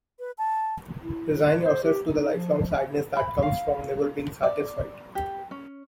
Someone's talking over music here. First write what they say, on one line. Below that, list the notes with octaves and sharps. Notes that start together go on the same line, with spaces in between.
Resign yourself to the lifelong sadness that comes from never being satisfied.
B4
A5
E4
C5
G4
D#4
F3
B5
F5
D5
G4
C#4